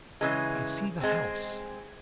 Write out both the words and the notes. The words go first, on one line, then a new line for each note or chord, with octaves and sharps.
I see the house.
C#3 E3 G#3
G#3 C4